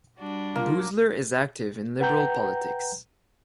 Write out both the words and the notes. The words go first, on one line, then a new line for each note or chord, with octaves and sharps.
Boosler is active in liberal politics.
G3 D4 F#4
A#3 F4
B4 F#5 G5 A#5 G6